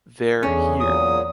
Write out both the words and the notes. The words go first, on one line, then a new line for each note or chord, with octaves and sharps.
They’re here.
E2 A3 C#4 D4 G#4
A#2 F#3 D#6